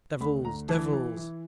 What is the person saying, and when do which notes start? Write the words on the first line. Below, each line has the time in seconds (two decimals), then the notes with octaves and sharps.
Devils! Devils!
0.21 D2 B5
0.45 D2 A#5
0.69 E3 A5
0.93 E3
1.17 E3